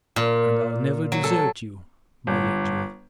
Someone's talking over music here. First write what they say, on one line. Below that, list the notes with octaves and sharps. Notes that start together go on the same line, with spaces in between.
And I'll never desert you, my angel.
A#2
F#3
A4
G1